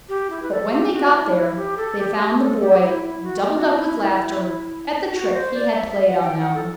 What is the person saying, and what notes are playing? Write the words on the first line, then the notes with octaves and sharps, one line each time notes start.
But when they got there they found the Boy doubled up with laughter at the trick he had played on them.
G4
E4
B4
A4
G4
F#4
E4
E4
G4
A4
G4
G4
A4
G4
E4
E4
F#4
G4
F#4
F#4
E4
F#4
C5
D5
E5
E5
F#5
G5
F#5
A4